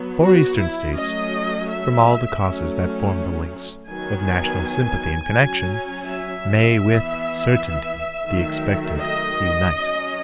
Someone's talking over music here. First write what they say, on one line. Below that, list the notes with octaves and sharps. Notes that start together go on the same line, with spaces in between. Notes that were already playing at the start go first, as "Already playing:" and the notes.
The four Eastern States, from all the causes that form the links of national sympathy and connection, may with certainty be expected to unite.
Already playing: F#3 B3
F#4
E4
F#3 A3 C#4 D#5
E5
F#3 A3 C#4
D#3 F#3 B3 G#5
F#3 C#4
E5
E3 B3
D#3 F#3 A3
D#5
F#3 C#4